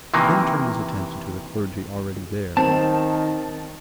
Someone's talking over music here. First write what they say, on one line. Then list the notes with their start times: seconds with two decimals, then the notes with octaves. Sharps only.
He then turned his attention to the clergy already there.
0.14 C3 D#3 E3 A#3
2.57 D#3 C4 A5